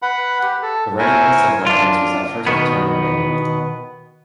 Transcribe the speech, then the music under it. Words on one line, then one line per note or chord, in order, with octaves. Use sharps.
The readiness of weapons was at first determined manually.
B4 F#5 B5
G4
A4
E4 A#4 C5 G#5 C#6
D4 F4
B2 D#3 B3